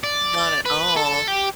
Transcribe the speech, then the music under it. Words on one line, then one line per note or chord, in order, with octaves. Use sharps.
Not at all.
D5
B4
A4
G4